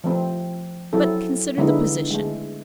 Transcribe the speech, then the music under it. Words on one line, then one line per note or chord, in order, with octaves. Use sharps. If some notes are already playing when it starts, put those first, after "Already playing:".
But consider the position.
F3 A3 C4
F#3 C4 E4 A4
D3 G#3 B3 D#4 E4
G#3 A3